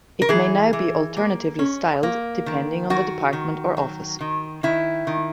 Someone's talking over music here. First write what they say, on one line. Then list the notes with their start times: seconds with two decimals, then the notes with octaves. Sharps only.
It may now be alternatively styled, depending on the department or office.
0.22 A#4
0.29 E3 G#4
0.73 E3
1.17 A#3
1.59 C#4
2.03 A#3
2.46 D#3
2.90 D#3 F#4
3.33 D#3
3.77 F#3
4.21 D#3
4.63 D#3 E4
5.07 D#3